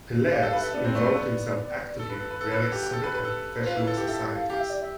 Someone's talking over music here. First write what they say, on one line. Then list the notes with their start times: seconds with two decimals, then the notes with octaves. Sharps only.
Pelaez involved himself actively in various civic and professional societies.
0.25 E5
0.32 G4 F5
0.42 A4
0.46 F5
0.53 B4
0.60 A4 E5
0.73 B3 D5
0.84 C4 C5
0.94 A3 D5
1.05 A3
1.15 B3
1.99 A4
2.10 B4
2.20 A4
2.31 B4
2.41 A4
2.51 B4
2.62 A4
2.72 G4
2.83 G4
2.93 A4
3.04 B4
3.14 B4
3.24 A4
3.61 C5
3.66 F4 B4
3.76 E4
3.87 A4
3.97 G4
4.08 A4 E5
4.35 F5
4.49 G4 F5
4.60 E5
4.70 D5
4.81 E5